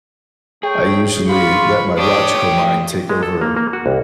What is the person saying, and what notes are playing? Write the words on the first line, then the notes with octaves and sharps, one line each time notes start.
I usually let my logical mind take over
A3 G#4 C#5 G5
F4 B5 C#6
D4 G4 C#5 D#6
A3 G5
G#3
A4
A#3
A#3
F#4
C2